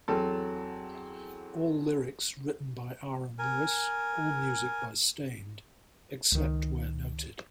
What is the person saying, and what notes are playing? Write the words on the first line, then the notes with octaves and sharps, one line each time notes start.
All lyrics written by Aaron Lewis, all music by Staind, except where noted.
E2 F#3 C4 A4
A#4 G#5
C#2 D#3